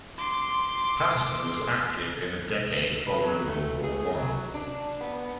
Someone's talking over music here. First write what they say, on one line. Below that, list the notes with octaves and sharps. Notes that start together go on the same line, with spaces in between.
Patterson was active in the decade following World War One.
C6 D6
B4
F#3
A3
G#4
F#3
D4
B3